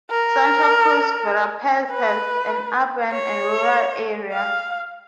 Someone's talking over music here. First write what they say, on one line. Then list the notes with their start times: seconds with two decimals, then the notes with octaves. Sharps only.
Santa Cruz Verapaz has an urban and a rural area.
0.11 A#4
1.91 B4
3.12 C#5
4.32 F5